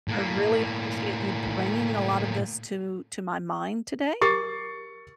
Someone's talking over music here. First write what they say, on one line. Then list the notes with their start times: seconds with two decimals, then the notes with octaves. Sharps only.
I really appreciate you bringing a lotta this to to my mind today.
0.08 A2 A#3
4.21 G4 A#4 C#6 D6 A6 C7